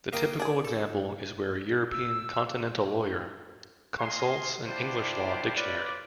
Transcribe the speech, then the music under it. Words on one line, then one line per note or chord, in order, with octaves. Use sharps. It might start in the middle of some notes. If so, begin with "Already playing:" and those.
The typical example is where a European continental lawyer consults an English law dictionary.
A#3 A#4 D#5 G5
D4 G#4 D5
A4
E6
A#4 D#5 F5 G#5 C6
D4 E4 F4 G4 C5 D5
F4 B4 C#5 D5